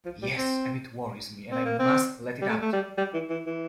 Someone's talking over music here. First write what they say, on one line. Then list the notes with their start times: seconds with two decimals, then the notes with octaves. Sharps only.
Yes, and it worries me, and I must let it out!
0.05 F3
0.22 G3
0.37 C4
1.52 C4
1.66 A#3
1.79 C4
2.42 G3
2.49 A3
2.62 A3
2.73 G3
2.98 G3
3.14 E3
3.30 E3
3.46 E3